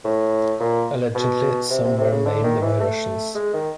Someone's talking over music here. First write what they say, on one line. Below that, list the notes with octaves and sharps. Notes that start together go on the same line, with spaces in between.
Allegedly some were maimed by Russians.
A2
A#2
B2
C3
C3
C3
C#3
D3
D#3
E3
A3
G#3
D#3